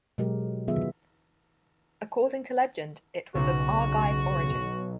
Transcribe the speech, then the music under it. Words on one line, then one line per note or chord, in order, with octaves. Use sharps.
According to legend, it was of Argive origin.
B2 F#3 G#3 G4 A#4
D#3 F#3 B3 F4 G#4 E5
B1 C#3 F#4